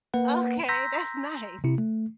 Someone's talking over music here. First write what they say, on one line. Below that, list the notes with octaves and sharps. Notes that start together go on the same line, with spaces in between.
Okay, that's nice.
A#3 B4 F#5
A#5 C6 E6 G6 A#6 B6
C3 E4
A3